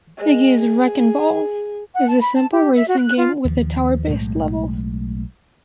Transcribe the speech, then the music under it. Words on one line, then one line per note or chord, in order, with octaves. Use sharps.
"Iggy's Reckin' Balls" is a simple racing game with tower-based levels.
G#3
G#4
F#5
A5
B5
A5
G4
E5
F#4
F#6
F4
D#2 F3
B1 E2 A2 G#3